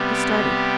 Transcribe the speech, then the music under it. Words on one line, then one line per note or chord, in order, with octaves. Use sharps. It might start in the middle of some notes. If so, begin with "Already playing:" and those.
He started.
Already playing: C3 G3 B3
G4